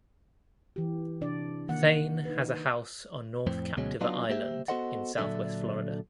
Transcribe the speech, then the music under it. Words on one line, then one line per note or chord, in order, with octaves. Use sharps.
Thain has a house on North Captiva Island in south west Florida.
E3 G4
C3 D4 D5
D#3 A#3 F#5
D#4 B4
F2 A2 C4
D2 B2 F#3 G#3 C#4
F#3 B3 D4 D#4 F4
A#3 G4 C5 E5
B3 F#4 A4 C5 D#5 F#5
A#2 D3 F#3 D4 A4 E5